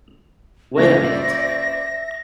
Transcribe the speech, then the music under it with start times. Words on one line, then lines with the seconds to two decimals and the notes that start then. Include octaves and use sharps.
Wait a minute.
0.77 C#2 A#2 C#3 C5 D5 E5 A#6